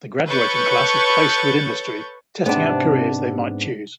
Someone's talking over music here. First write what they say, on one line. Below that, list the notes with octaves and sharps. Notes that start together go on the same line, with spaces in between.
The graduating class is placed with industry, testing out careers they might choose.
A4 B4 C#5 C#6 G6 A6
G#2 C3 B3 D4